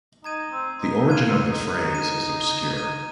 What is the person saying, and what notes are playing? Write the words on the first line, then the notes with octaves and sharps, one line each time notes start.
The origin of the phrase is obscure.
D#4 A#5 G#6 D#7
C4
D#4
D#4
F4 A#5 G#6 D#7
C4
D#4
D#4
A#5 G#6 D#7
A#5 G#6 D#7